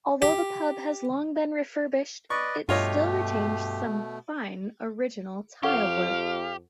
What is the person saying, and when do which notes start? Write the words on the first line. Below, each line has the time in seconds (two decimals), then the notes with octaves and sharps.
Although the pub has long been refurbished, it still retains some fine original tilework.
0.22 G4
2.30 B4 D5 D#5 C#6
2.69 G2 B2 A3 F4 G4 C#5 D#5
5.63 F2 G4 A4 F5 F#5 C#6